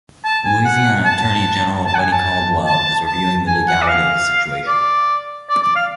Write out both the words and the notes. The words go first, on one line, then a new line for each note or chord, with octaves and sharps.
Louisiana Attorney General Buddy Caldwell is reviewing the legality of the situation.
A5
G#5
F#5
A5
A5
F#5
G#5
A5
A5
A5
G#5
F#5
D5
F5
D5
D5
D5
F5